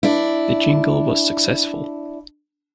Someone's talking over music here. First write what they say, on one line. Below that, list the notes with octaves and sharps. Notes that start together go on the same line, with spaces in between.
The jingle was successful.
D4 E4